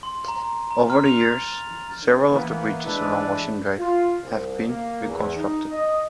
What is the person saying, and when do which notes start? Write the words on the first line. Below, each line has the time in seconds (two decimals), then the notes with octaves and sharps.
Over the years, several of the bridges along Ocean Drive have been reconstructed.
0.03 C6
0.28 A#5
0.71 A#5
0.90 F6
1.06 F7
1.21 A6
2.32 E3 A#3 B3
2.85 E3 G#3 D4 E4 A4 B4
3.78 F4
4.21 C2
4.66 A#3
5.05 E2
5.37 D#4
5.70 D#5